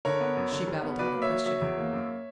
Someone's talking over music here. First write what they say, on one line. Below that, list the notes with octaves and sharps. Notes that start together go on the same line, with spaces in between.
She babbled out a question at him.
D3 A#4 C#5
B3
F#2
D3
G3
B3
F#3 B4 D5
A#3
C#5 E5
F#3
F#3 C#5 E5
E2
A#3
F#2